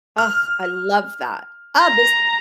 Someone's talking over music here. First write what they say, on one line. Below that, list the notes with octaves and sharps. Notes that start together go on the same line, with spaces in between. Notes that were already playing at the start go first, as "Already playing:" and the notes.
Ugh, I love that. Oh, this
F6
A#5